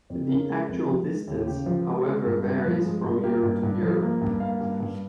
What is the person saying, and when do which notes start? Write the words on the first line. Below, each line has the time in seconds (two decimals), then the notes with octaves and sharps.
The actual distance however varies from year to year.
0.10 F2
0.29 C#3 A#4
0.49 G#3
0.68 F2
0.88 F3
1.08 G#3
1.27 D#2
1.47 C#3 G4
1.66 F3
1.87 G#3
2.05 G#3
2.26 G2
2.44 G2
2.65 F3
2.85 G#3
3.04 G2
3.24 A#3 G4
3.43 G2
3.63 G2
3.82 F3
4.02 A#3
4.21 G2
4.40 A#3 F5
4.60 G2
4.80 G2